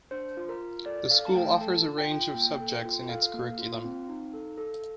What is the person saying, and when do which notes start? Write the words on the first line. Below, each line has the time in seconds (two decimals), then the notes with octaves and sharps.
The school offers a range of subjects in its curriculum.
0.11 D4 C5
0.37 F4
0.49 A#4
0.61 F4
0.86 A4 D5
1.11 A4 F5
1.26 A5
1.35 A3 G5
1.61 A4 A5
1.85 F4
1.98 G5
2.11 F4
2.34 A#3 G5
2.60 A4
2.85 F4
3.09 A4 F5
3.34 A#3
3.59 F4
3.84 C4
4.09 D#4
4.33 A4
4.58 A4